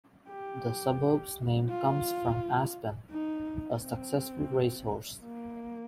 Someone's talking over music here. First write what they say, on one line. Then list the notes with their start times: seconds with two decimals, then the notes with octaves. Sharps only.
The suburb's name comes from "Aspen", a successful racehorse.
0.29 G4
1.69 F4
3.10 D#4
3.82 C4
5.23 A#3